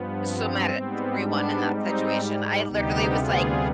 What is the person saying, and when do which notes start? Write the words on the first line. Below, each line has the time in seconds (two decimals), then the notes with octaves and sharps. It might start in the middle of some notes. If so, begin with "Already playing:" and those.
so mad at everyone in that situation, I literally was like,
Already playing: G2 F3 B3
0.21 C4
0.70 G#2 G3 B3
1.19 B3 D4
1.68 C4 D#4
2.67 D2 C3 G3 B3 D#4 G4
3.16 F4 G#4